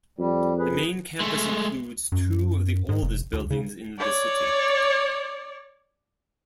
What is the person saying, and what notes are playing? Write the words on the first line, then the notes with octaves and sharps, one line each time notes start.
The main campus includes two of the oldest buildings in the city.
F2 G3
G#4 B4
G#3 A3
F#2
G#2
F1
D2
C#3
C#5 D5